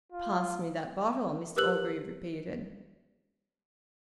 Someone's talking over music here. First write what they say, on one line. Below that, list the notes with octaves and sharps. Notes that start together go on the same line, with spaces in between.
"Pass me that bottle," Mr Orgreave repeated.
F4
G4 A#4 B4 E6 F#6 F#7